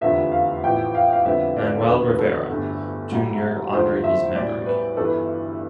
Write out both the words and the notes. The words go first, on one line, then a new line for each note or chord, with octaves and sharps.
Manuel Rivera, Junior honoring his memory.
F1 E2 D3 F3 B3 E5
F5
A1 A2 F3 B3 G5
F5
F5
F2 D3 G3 B3 E5
D5
A4
E1 E2 D3 B4
B4
A4
G1 G2 D3 A3
C2 B2 G3
E2 D3 F3 A3 C5
E5
B1 A2 G3 D5
B4
G1 G2 E3 A4
B4